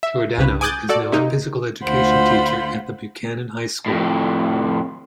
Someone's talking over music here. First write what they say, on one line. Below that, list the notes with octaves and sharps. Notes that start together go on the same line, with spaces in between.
Giordano is now a physical education teacher at Buchanan High School.
E5
C2 C#3 B4
G#5 D6 D#6 F#6 G6 A6
F#4 A4 D5
C3 A#3 D#4
D2 F4 C5 F#5 B5
F2 A2